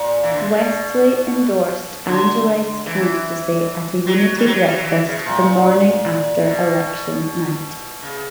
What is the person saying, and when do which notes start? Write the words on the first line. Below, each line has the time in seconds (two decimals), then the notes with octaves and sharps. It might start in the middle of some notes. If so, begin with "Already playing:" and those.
Westly endorsed Angelides' candidacy at a unity breakfast the morning after election night.
Already playing: A#2
0.23 E3
0.32 D3
0.41 C#3
0.49 B2
2.08 D3
2.87 E3
4.07 F#3
4.38 G3
4.46 F#3
4.66 G3
4.75 F#3
4.85 E3
5.06 C#3
5.15 B2
5.25 A#2
6.44 B2
8.03 C#3